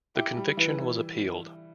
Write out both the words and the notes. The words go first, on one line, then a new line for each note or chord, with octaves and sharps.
The conviction was appealed.
E4 G4
G3
E3 B4
E3